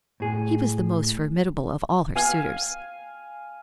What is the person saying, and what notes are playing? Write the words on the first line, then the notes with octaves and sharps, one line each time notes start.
He was the most formidable of all her suitors.
A2 G#4
F5 G#5